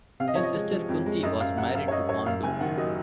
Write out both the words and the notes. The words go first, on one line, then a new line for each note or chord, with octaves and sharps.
His sister Kunti was married to Pandu.
C3 F5
D#5
F3 C#5
D#5
G#3
F3
F2
G#3
F#2 D#5
F#2 F5
F#2 F#5
F#2 F5
C#5
F#2 D#5
F#2 C#5
F#2 F5
F#1 G#5
D#3 F#5
F#3 D#5